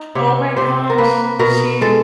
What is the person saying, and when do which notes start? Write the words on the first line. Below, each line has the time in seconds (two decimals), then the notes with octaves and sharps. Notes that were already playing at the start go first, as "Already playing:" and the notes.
Oh my gosh, she
Already playing: D#4
0.15 C3 C#5
0.57 C3 C5
0.90 A#4
0.98 A#3 B4
1.39 B2 A#4
1.81 G#3 A4